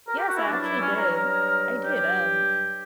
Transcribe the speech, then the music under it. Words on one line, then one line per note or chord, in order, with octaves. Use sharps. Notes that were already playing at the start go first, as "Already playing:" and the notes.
Yes, I actually did. I did, um,
A#4
G4
F#4
E4
G2 F#3 D4
E4
C#4
A#4
A#4
G4